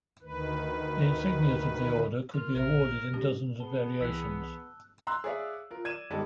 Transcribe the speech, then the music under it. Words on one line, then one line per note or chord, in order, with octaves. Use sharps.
The insignias of the order could be awarded in dozens of variations.
D2 D#3 B4
F4 A#4
A#1 A#4 C5 E5
C3 G3 C#4 D4 G4
B3 G#4 A5 G7
C2 E3 E6 F#6 B6
A#5 C6 E6 F#6
G#4 C#5 D5 E5 F5
F4 A#4
D5 G#6 D#7 E7
G1 G3 G#3 D#4 A4 A5